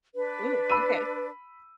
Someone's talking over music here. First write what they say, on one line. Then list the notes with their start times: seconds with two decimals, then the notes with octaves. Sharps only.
Ooh, okay.
0.14 D4 B4
0.70 B5 E6 D#7